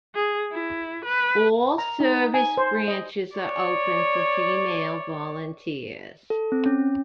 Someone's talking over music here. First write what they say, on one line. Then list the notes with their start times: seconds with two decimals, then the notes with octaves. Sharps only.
All service branches are open for female volunteers.
0.15 G#4
0.52 E4
1.05 B4
1.78 A#5
2.00 D#4
2.34 G#5
2.57 C5
2.88 D#5
3.36 C#5 D5
6.30 A4
6.52 C4
6.66 C#4